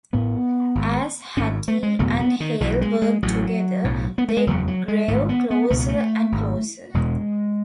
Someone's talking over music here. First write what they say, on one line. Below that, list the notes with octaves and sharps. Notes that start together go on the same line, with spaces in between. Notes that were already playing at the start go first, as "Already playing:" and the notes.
As Hattie and Hale worked together they grew closer and closer.
A1 A2 B3
G#1 G#2
G#1 G#2 C#4
A3
G#3
F#1 E2 B2 A3
B3
D#3
B1 B2 E3
G#3
G#3
A1 A2 F#3
B1 A2
B3
A3
G#3
F#1 E2 C#3 F#3
F#3
G#3
G#1 G#2 A3
B3
B3
C#2 B2 A3
B3
A3
G#1 G#2
E1 E2 B2 G#3